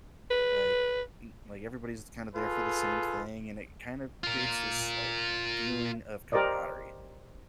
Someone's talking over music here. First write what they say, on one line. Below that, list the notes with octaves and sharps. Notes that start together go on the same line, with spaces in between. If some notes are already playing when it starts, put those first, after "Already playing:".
Like, m like, everybody's kinda there for the same thing, and it kind of creates this, like, feeling of camaraderie,
B4
F4 G#4 A4 B4
F4 A#4
G4 A#4 C5 D5 D#5